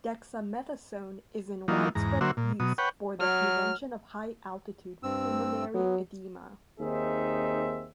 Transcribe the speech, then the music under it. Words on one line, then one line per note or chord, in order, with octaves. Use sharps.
Dexamethasone is in widespread use for the prevention of high altitude pulmonary edema.
E3 F#3 A#3 D#4 F4
E2 G#2 A#5
D3 F#3 A#3 F#4 C5 E5
A#2
B2 F#3 D#6
B4 C#5 F#5 G5
F#3 F6
G2 C4 E6
F#3 B3
D#2 C4 D#4 G#4 E5